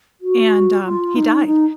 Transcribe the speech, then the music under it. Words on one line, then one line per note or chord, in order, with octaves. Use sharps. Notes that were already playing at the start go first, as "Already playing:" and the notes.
and, um, he died.
F#4
F4
D#4
D#4